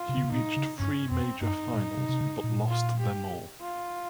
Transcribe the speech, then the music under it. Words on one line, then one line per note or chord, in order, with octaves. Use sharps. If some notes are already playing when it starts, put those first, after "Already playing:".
He reached three major finals, but lost them all.
Already playing: F4
C3
C#3
C3
A#2 D#4
C#3
G2 C#4
F2 C4
G2 D#4
A#2
C3
C3
C#3
A#2
F4
G4
F4